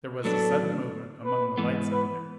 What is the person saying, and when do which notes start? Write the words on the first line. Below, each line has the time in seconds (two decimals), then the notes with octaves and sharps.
There was a sudden movement among the lights up there.
0.24 A2 F#3 B3 D4 A4
1.25 B4
1.58 G#2 E3 B3
1.92 B4